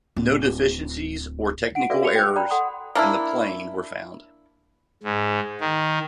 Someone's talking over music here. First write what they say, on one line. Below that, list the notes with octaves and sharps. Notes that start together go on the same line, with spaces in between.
No deficiencies or technical errors in the plane were found.
D1
F#5 D7
F#4 A4 B4 D5 E5 F5
F#4 A4 C#7 F7
G5
D5 G5 A#5 B5 F#6
A4 F#5 C6 D#6
A#3 D4 E4
G#2
D#3